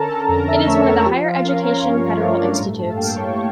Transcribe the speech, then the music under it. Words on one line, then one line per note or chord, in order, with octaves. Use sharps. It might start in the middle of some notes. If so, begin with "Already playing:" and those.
It is one of the higher education federal institutes.
Already playing: D3 C#4 A4 A#4 A5 A#5
F2 A#4 A#5
E5 E6
A3 C#5 C#6
A#4 A#5
F3 G4 G5
F4 F5
C#4 A#4
C#4 C#5
G2 C#5
A#4
C#4 C#5
A3 D4 D5
A2 A#4 A#5
A4 A5
F5
A#3 G4 G5
C#5 C#6